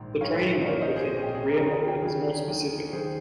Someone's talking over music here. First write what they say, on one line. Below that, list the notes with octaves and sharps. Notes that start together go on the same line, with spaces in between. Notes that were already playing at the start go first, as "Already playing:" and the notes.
The training mode within Career Mode is more specific.
Already playing: A#1 G#2 D#3
A#1 G#2 D#3 C#5 F5
A#1 A#2 C#5 F5
C5 D#5
G#4 C5
A#1 A#2 G#4
G4
G#4
G4 A#4
D#2 C#3 G4 A#4
G#4
G4
D#2 C#3 G#4
D#2 D#3
D#2 D#3 G#4 C5